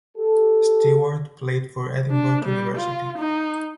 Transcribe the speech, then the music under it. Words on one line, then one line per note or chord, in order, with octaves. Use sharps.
Stewart played for Edinburgh University.
G4 A4
D4
G3
F4
D#4